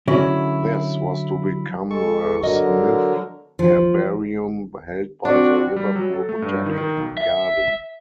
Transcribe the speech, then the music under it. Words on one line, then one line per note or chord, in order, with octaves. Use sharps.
This was to become the Smith Herbarium held by the Liverpool Botanic Garden.
D3 F#3 C#4 E4 F#4 G#4
G#3 A4 C#6
D3 F#3 A#4 D#5
F3
C4 D4 F#4 D5
G3
F#3
A4
A3
G2
D#3
D#3
B1
E5